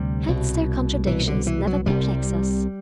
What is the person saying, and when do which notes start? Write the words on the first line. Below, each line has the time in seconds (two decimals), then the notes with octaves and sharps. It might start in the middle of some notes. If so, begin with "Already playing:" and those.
Hence their contradictions never perplex us.
Already playing: D2 C3 G3
0.28 C2 B2
1.07 C2 B2 E3
1.27 D3
1.47 E3
1.67 F#3
1.86 C2 C3 G3